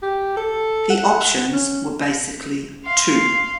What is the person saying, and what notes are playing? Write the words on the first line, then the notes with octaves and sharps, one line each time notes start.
The options were basically two.
G4
A4
F#5
C#4
F5 C6